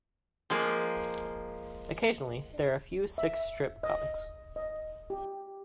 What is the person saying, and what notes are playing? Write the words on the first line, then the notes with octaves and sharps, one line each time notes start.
Occasionally, there are a few six-strip comics.
F3 G#3 A#3
E5
D#5
D#5
G4